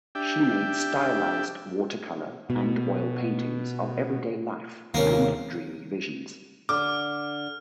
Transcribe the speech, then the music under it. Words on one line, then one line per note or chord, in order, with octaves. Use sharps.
She made stylised watercolour and oil paintings of everyday life and dreamy visions.
D4 G4 E5 G5
B2
D#2 C3 A#3 C#4
D3 D6 F6